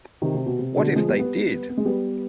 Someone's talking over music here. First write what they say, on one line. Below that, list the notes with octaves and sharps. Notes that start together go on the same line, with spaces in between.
What if they did!
C3 D#3
C3
B2
C3
B2 D3
F3 G#3
G3 B3
G3 B3
B3
G#3
G3 B3